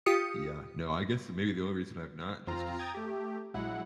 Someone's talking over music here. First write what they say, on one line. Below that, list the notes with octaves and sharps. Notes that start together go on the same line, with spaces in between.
Yeah, no, I guess maybe the only reason I've not, just 'cause,
F4 G4 D#6 C#7
F2 C4 F4 A#5
G5 A#5 D#6 G#6 A6
A3 G4
A#1 F#3 G#3 E4 F#5